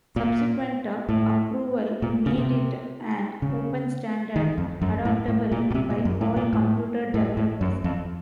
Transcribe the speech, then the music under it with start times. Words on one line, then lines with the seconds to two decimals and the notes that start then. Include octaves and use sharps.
Subsequent approval made it an open standard adoptable by all computer developers.
0.16 A#2
1.09 A2
2.02 A#2
2.26 C#3
2.38 C3
3.42 C#3
4.36 D#3
4.58 F2
4.82 F#2
5.05 A2
5.28 A2
5.52 A#2
5.71 A#2
5.74 C3
5.90 A#2
6.05 F#2
6.21 A2
6.37 A#2
6.53 A2
7.14 A2
7.37 A2
7.61 F#2
7.84 F2